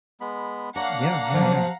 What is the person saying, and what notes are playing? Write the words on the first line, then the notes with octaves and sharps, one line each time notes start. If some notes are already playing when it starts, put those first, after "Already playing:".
Yeah, yeah, yeah,
G#3 B3 B5
A#3 D4 C#5 F5 F#5 A#5
B2 F3 F#3